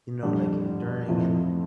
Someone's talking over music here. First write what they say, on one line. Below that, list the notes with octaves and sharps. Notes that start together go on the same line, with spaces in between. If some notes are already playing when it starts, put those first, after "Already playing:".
you know, like, enduring and
F2 D3 G3 D4
F2 C3 F3 A3 E4